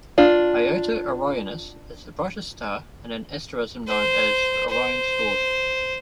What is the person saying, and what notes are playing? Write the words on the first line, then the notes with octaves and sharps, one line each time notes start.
Iota Orionis is the brightest star in an asterism known as Orion's sword.
D4 F4
C5
C5